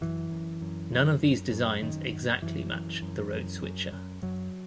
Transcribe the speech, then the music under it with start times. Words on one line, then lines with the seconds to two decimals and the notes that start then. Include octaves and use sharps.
None of these designs exactly match the Road Switcher.
0.01 F#2 E3
0.31 F#2
0.62 F#2
0.92 F#2
1.23 F#2
1.52 F#2
1.82 F#2 D#3
2.12 F#2
2.42 F#2 E3
2.72 F#2
3.02 F#2
3.33 F#2
3.62 F#2
3.92 F#2
4.22 F#2 F#3